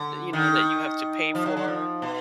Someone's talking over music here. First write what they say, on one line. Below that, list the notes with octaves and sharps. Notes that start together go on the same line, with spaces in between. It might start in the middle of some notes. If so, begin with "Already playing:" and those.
that, you know that you have to pay for.
Already playing: D3
D#3
F3
F#3
F#3
F3
B2